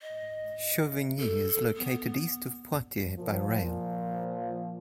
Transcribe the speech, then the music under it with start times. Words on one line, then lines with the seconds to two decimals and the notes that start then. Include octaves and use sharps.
Chauvigny is located east of Poitiers by rail.
0.02 D#5
1.20 A4
1.48 A4
1.77 B3
3.17 A#2 F3